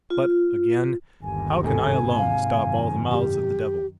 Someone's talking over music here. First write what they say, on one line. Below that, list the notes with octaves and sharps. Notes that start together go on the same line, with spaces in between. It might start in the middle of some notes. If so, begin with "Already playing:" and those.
But, again, how can I alone stop all the mouths of the devil?
F4
G1 D#2 G#5
G#2 C3 A4 G#5
F5
F#2 D#3
G4